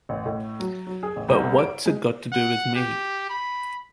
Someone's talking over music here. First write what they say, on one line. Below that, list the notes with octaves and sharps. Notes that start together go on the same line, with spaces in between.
But what's it got to do with me?
A1
A2
F#3
F#3
G#4
A1
C2
D7
G#3
F#5
G4
B5